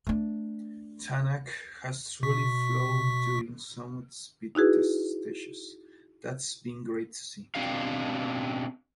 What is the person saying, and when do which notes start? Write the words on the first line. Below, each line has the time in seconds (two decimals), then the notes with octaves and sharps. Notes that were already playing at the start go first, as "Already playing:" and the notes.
Tänak has truly flown during some of the speed test stages, that’s been great to see.
0.07 A3 D4
2.23 B2 C#6 B6
4.55 D#4 E4 F#4 G#4 B4
7.55 B2 E3 C4 D4 G4 F5